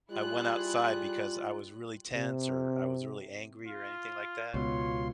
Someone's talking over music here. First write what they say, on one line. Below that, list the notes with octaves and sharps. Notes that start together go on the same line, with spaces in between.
I went outside because I was really tense," or, "I was really angry," or anything like that?
G3 E4 F4 G#4 F#6
C3
F4
C#2 B2 F4 C#5 C6